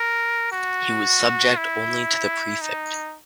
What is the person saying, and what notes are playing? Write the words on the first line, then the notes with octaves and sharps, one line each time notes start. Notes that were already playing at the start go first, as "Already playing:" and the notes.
He was subject only to the prefect.
Already playing: A#4
F#4
E4
D#4